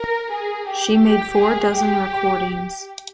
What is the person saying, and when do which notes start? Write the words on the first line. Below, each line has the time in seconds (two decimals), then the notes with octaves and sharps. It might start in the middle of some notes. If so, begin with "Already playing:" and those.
She made four dozen recordings.
Already playing: A#4
0.31 G#4
0.67 G4
1.02 G4
1.38 G#4
1.73 G4